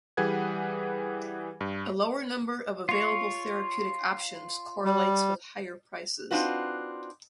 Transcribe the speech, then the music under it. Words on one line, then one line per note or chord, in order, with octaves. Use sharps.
A lower number of available therapeutic options correlates with higher prices.
E3 G3 G#4 B4 F#5 G#6
G2
F4 C#5
G3
C4 D4 D#4 F4 F#4 B4